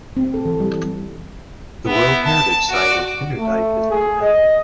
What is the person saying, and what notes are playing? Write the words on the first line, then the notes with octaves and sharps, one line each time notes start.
The World Heritage site of Kinderdijk is in the gemeente.
C4
A4
E3
G3
B3 E4
A5
F#4 D5
A3
G#4
D#5